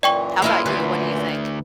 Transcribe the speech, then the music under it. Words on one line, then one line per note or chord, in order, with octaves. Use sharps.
How about you, what do you think?
F#2 A#2 E3 D5 G5 C#6
G#3 A#3 E4 F4
D2 B4